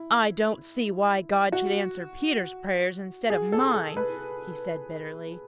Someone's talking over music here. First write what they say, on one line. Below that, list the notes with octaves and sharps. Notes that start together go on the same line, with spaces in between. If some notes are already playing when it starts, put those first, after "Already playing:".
"I don't see why God should answer Peter's prayers instead of mine," he said bitterly.
Already playing: E4
F#4
G#4
A4
A4
B4